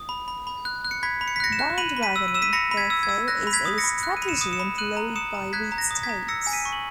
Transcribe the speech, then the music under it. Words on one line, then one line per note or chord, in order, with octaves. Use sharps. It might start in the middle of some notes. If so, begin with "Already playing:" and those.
Bandwagoning, therefore, is a strategy employed by weak states.
Already playing: D#6
B5
B5
B5
F#6
F#6
C#7
B5 G#6 B6
B5
C#7
B6
F#6 A#6 C#7
C#7 E7
F#6
B5 D#7 F#7
B5
B6 D#7
E6
D#7
E6 E7
B6 D#7
B5 A#6 C#7
B5
G#6 B6
E6
G#6
E6
F#6 A#6
B5
G#6 B6
D#6
A#6 C#7
B5
F#6
D#7
B5
C#7 E7
D#6
C#7 E7
B5
F#6 D#7 F#7
A#5
D#6 C#7 E7
A#5
F#6 G#6 B6
A#5
A#6
D#6
G#6 B6
A#5
E6 A#6 C#7
G#5
B6 D#7
C#6
F#7